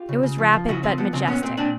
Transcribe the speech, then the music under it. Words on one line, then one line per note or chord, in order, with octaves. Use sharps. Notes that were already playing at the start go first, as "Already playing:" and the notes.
It was rapid but majestic.
Already playing: F4 G4
C#3
C#3
F3
F3
C#3 E4 F#4
F3 C4
F3 B3
C#3 C4
A#2 B3 C#4
A#2 C4
A#2 C4 D4